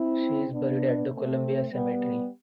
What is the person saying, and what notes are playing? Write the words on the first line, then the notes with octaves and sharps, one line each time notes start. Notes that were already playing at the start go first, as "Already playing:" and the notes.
She is buried at the Columbia Cemetery.
Already playing: C4 E4
B3 D4
A3 C4
G3 B3